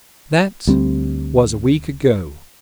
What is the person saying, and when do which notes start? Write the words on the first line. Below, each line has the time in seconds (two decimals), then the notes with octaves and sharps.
That was a week ago.
0.67 D2 G3 C4